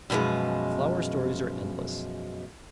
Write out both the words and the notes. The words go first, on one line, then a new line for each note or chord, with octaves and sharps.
Flower stories are endless.
F#2 B2 E3 F3 G#3